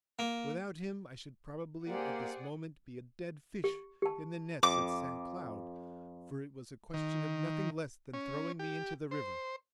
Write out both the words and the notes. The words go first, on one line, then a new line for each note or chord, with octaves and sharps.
Without him I should probably at this moment be a dead fish in the nets at Saint Cloud, for it was a question of nothing less than throwing me into the river.
A#3
A#3 G4 G#4 C5 D5 F#5
G4
G4 A5
F2 D6
D#3
C#4
G4
C5